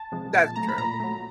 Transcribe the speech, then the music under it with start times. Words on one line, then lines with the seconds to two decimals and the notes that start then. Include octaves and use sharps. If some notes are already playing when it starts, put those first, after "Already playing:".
That's true.
Already playing: A5
0.12 C3 F3 G#3
0.34 A#2 A5
0.56 F#3 A3 A#5
0.68 B5
0.78 A#2 A#5
1.00 F#3 A3